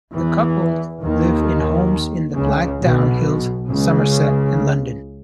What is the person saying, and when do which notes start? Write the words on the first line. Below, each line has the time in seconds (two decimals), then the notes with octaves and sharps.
The couple live in homes in the Blackdown Hills, Somerset and London.
0.13 E2 E3
1.03 D#2 D#3
2.35 C#2 C#3
2.79 B1 B2
3.68 C#2 C#3